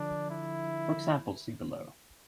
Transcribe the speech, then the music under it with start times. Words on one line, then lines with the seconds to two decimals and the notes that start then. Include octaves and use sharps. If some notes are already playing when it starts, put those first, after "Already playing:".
For examples see below.
Already playing: D3 F3 D4
0.30 E4